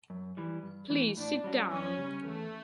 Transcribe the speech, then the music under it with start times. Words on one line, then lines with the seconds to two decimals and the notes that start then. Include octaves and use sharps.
Please sit down.
0.10 F#2
0.37 E3 G3
0.63 G2
0.90 E3 A3
1.17 A2 D4
1.44 G3 C#4 F#4
1.71 F#2 C#4
1.97 C#3 G3
2.24 E2 A3